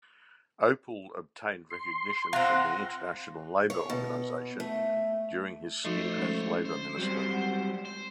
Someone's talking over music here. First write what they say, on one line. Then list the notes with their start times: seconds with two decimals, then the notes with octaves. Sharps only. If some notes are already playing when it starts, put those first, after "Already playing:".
Ople obtained recognition from the International Labour Organization during his stint as Labor Minister.
1.70 C6
2.33 C4 F4 F#5 A#5
3.70 C#5
3.90 B2
4.60 A3
5.85 F3 A3 D#4 F#4 C5 C#5
6.17 F3 G#3 C#4
6.65 C5
6.97 F#3 G3 C4
7.30 G#3 F#5
7.85 C5